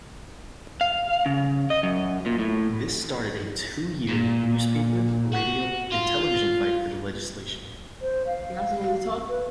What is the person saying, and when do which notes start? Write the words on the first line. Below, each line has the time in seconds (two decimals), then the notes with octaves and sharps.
This started a two-year newspaper, radio, and television fight for the legislation.
0.81 F5
1.26 C#3
1.70 D#5
1.83 F#2
2.26 A#2
2.39 A2
4.09 A#2
5.33 F#4
5.92 F4
8.02 C5
8.27 F5
9.29 B4